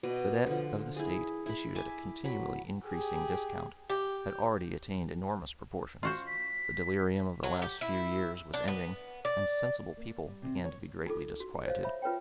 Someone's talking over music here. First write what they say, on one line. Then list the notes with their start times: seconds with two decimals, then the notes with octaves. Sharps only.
The debt of the State, issued at a continually increasing discount, had already attained enormous proportions; the delirium of the last few years was ending, and sensible people began to be greatly disquieted.
0.03 B2 D5 D#5
0.46 D3 F3
0.96 E4 G#4
1.46 E4 B5
1.75 E5 G#5 D6
2.24 F#3 B5
2.86 G4 G#4
3.90 G4
6.03 F4 F#4 C5 C#6
6.27 B6
7.43 F#3
7.62 G4
7.81 E4
8.54 D4
8.68 B3
9.25 D5
9.97 A#3
10.27 G3
10.42 C3
10.64 C#5
11.06 D#4 F4 A4 D6
11.40 F#4
11.66 C5 C#5 D#5 F5
11.83 C#5 E5 B5
12.02 F4 B4 C#5 G5